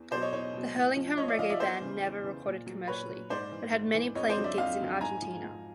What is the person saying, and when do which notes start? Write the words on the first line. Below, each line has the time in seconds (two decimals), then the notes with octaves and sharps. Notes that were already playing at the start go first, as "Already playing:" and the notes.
The Hurlingham Reggae Band never recorded commercially, but had many playing gigs in Argentina.
Already playing: E2
0.11 B2 C5 D5
0.15 F#3
0.22 C#5 D#5
0.32 E2 C#5 D#5
0.53 B2 F#3
0.75 A2
0.96 F3
1.17 A2 C#5 D#5
1.28 D5 E5
1.39 F3 D#5 F5
1.50 D5 E5
1.60 E2 C5 D5
1.81 C#3 E3
2.03 E2
2.24 C#3 E3
2.46 A#2
2.66 F#3
2.88 A#2 B4 C#5
3.09 F#3
3.30 G#2 C5 D5
3.52 E3
3.73 G#2
3.94 E3
4.15 F2 C#5 D#5
4.30 C5 D5
4.37 D3 F#3
4.44 D5 E5
4.58 F2 D#5 F5
4.79 D3 F#3
5.01 G#2 G#5 A#5
5.22 F3
5.43 G#2